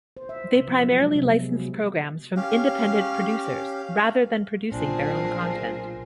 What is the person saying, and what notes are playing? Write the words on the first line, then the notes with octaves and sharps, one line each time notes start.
They primarily licensed programs from independent producers, rather than producing their own content.
C5
E5
C3
F3
F#3
G#3
C3
B3
G#4
F#4
C#4 G4 F5
B1 A#2 C4 D4 F4 G#4 A#4